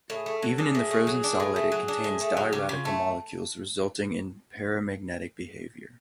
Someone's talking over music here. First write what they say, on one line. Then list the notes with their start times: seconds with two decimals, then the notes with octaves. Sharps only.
Even in the frozen solid it contains di-radical molecules resulting in paramagnetic behavior.
0.10 A2
0.15 G#4
0.26 A3
0.37 A4
0.42 F#3
0.58 D4 G#4
0.75 A2
0.91 A3
1.07 F#3
1.24 D4
1.40 A2
1.56 A3
1.72 F#3
1.88 D4
2.04 A2
2.21 A3
2.37 F#3
2.53 C#3 G4
2.69 C#3 F4
2.85 A3